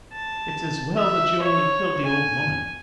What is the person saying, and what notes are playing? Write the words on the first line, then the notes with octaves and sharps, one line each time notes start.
It's as well that you only killed the old woman.
A5
E5
C#5
G#5